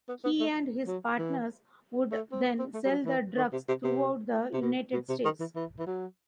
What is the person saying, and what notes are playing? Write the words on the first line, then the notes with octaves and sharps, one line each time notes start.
He and his partners would then sell the drugs throughout the United States.
B3
B3
A3
F#3
E3
A3
C4
B3
C4
A3
G3
F#3
E3
D#3
C3
C3
C3
C3
B2
B2
C3
D#3
E3
E3
E3
F#3